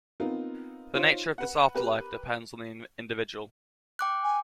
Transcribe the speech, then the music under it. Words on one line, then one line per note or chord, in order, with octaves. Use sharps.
The nature of this afterlife depends on the individual.
B3 C4 D#4 F4 A#4
D#4 F4 C5 C#5
B4 F#5
G4 A#4 B4
G5 D6 F#6
G#5